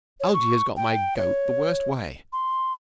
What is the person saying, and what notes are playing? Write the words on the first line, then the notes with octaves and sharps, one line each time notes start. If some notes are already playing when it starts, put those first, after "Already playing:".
Algie has got my goat the worst way.
C#5
C#6
G5
C#5
C6